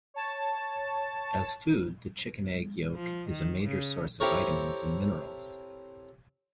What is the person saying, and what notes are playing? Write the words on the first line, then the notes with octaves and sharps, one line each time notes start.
As food, the chicken egg yolk is a major source of vitamins and minerals.
C#5 A5
F3
D#3
C#3
C4 E4 G4 A4 A#4 C#5